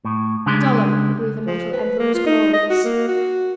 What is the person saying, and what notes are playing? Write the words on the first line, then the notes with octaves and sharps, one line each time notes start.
Duller grew the Metal Emperor's glories.
A2
C#3 G#3 D4 G4 G#4 C6
F3
B4
A#3
F4
D#4
D#5
F#4
A#3
F#4